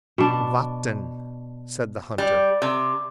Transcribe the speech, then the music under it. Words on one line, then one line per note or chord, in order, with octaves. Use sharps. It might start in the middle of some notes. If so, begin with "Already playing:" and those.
"Vatten," said the hunter.
B2 D4
G3
C3